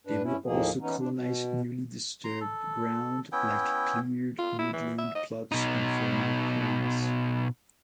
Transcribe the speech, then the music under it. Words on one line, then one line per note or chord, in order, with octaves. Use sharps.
They will also colonise newly disturbed ground like cleared woodland plots and former quarries.
G2 D4 B4
G2 C#4 E4
D#2 A2 D#3 F3 A#3 G#4
E3 B3 C#4 D#4
D4
B2
A#5 C6
A4
B3 C#4 E4 G5
F4
E4
E3
E5
D#5
B2 D#4